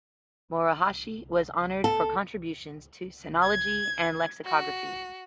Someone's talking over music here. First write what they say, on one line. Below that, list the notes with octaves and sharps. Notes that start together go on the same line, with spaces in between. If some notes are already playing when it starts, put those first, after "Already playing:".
Morohashi was honored for contributions to sinology and lexicography.
A4
G#6
F#4